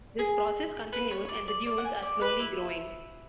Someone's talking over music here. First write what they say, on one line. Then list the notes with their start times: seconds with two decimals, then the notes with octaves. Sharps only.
This process continues, and the dunes are slowly growing.
0.19 G#4
0.93 B4
1.11 C#5
1.29 D5
1.48 D5
1.66 D5
1.78 F#5
1.85 G#5
2.02 D5
2.21 B4
2.39 E4